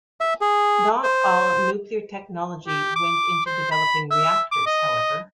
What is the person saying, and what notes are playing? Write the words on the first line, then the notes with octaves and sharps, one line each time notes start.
Not all nuclear technology went into developing reactors, however.
E5
G#4
C5
G4
D6
C5
B5
E5
D6
D#5